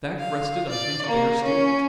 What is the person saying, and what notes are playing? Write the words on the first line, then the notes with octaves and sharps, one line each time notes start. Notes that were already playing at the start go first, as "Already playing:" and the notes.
The fact rested on his bare statement.
F5
D5
A#3
C#4